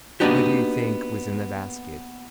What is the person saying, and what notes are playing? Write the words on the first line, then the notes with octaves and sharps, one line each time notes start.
What do you think was in the basket?
A#3 B3 D4 D#4 F#4 G4